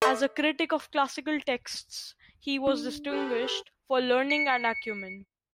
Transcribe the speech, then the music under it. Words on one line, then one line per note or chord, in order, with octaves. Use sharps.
As a critic of classical texts he was distinguished for learning and acumen.
A4 D#5 E5 C#6 G6
D4
G4 A4 B4
C#7